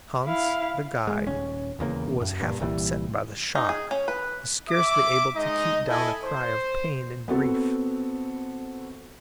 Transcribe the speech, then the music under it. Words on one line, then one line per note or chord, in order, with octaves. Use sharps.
Hans, the guide, who was half upset by the shock, was scarcely able to keep down a cry of pain and grief.
E4 F5
G#3
D#1 C#4
D#1 E2 C#3 A#3
F#2
G2 A#2
C2 A#2 E3 G3
D#4
G#4
C#4
B4
E5 D6
G#3 D#4 D#5
E4 A4 D#5 G#5
C5
B3 C4 F#4 A4